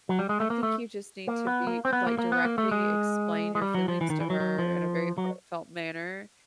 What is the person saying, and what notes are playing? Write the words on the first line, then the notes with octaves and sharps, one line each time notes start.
I think you just need to be like, directly explain your feelings to her in a very heartfelt manner,
F#3
G3
G#3
A3
A#3
A3
A#3
B3
A#3
C4
B3
A#3
A#3
B3
A#3
A3
G#3
G#3
G3
F#3
F3
E3
D#3
E3
F#3
F#3
F3
F#3